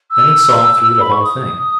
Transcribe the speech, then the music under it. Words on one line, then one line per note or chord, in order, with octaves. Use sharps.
Then he saw through the whole thing.
E6
B5
C#6
D#6